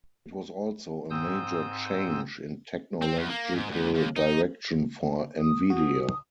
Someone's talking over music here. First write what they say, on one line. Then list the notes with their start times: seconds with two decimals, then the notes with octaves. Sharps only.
It was also a major change in technological direction for Nvidia.
1.10 G#2 C4 D#6 E6 G6
3.01 C4
3.16 E2
3.29 A#3
3.54 G#2
3.70 D2
3.94 D#2
4.16 D#4
5.40 D#6
5.70 F#4